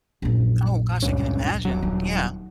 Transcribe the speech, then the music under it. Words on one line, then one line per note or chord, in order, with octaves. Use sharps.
Oh gosh, I can imagine. Yeah.
A#1 F#2
C#2 G2 C#4
D#1 F#3
D#4